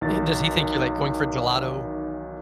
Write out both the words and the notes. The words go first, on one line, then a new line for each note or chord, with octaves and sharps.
Eh, does he think you're, like, going for gelato?
B1 D#3 E3 A6